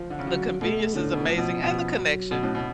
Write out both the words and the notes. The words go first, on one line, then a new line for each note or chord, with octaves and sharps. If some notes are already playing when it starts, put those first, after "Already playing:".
The convenience is amazing, and the connection.
Already playing: F3
D3
C#3
D3 F#3
B2 A3
A2 D3
B2
A2 F3
B2
B2 F3
F#3
B2
A2
B2